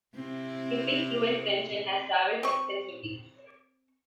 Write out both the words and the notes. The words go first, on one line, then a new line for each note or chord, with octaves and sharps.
He speaks fluent French and has travelled extensively.
C3 C4 E4
C4 C#6